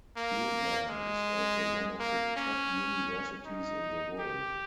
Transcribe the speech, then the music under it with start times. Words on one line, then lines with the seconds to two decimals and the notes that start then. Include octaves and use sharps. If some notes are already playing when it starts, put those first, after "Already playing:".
Kyodai is also one of the top universities in the world.
0.17 A#3
0.90 G#3
2.00 A#3
2.36 C#4
3.45 D#4
4.19 G4